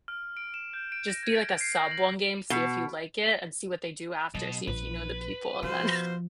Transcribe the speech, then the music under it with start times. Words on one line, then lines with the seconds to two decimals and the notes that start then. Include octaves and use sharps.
just be, like, a sub one game, see if you like it, and see what they do after, see if you know the people, and then
0.08 F6
0.37 D7
0.54 E7
0.73 G6
0.92 D7
1.07 A#6
1.23 G#6
1.36 D7
1.61 C7
1.77 A#6
1.91 F#7
2.50 B2
4.35 B2 F#3
4.67 A#1 B4
5.63 B2 F3 F4 C5